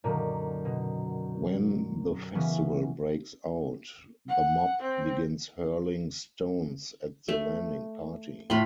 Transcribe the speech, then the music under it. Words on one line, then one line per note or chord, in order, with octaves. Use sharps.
When the "Festival" breaks out, the mob begins hurling stones at the landing party.
F#2 A#2 D3 D#3
B2
C#3 E3 B3 C#4
F#5
C4
A3
A2 F4 B5 C6